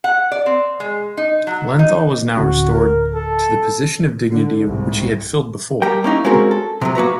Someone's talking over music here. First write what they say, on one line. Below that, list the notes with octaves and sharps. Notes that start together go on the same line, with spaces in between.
Lenthall was now restored to the position of dignity which he had filled before.
F#5
D5
C4
G#3
D#4
F#3
D#4
D1 D3 C#4 F#4
A#4
A4
D3
C2 G#2
G3 A#4 G5
A#3 C#4 D#4 E4
G#3 A#3 C4 C#4 F#4 A#4
A4
C3 E3 F#3
A#3 F#4 B4 A#5